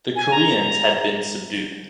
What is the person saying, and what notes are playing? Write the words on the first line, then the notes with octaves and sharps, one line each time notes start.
The Koreans had been subdued.
G#5
A#5